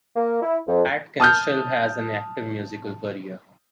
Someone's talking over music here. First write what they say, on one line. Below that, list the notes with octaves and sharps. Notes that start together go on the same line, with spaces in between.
Atkins still has an active musical career.
A#3
E4
F2
A5 D#6 F6 G6